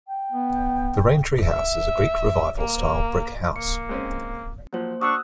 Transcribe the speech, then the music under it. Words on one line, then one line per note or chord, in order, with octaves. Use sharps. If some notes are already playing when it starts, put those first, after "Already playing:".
The Raintree House is a Greek Revival style brick house.
G5
B3
E5
A#3
A#3 C#7
G#3 C4 C#4
F3 F#3 A#3 C5
D4 F#4 C#6 D#6 E6 F#6